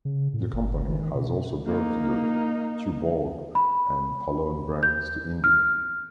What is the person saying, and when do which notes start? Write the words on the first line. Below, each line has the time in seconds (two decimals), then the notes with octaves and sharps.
The company has also brought the Tuborg and Palone brands to India.
0.05 C#3
0.33 A2
0.53 G1
0.89 D#3
1.15 B2
1.66 A#3 D#4
3.55 B5
4.83 G6
5.44 F6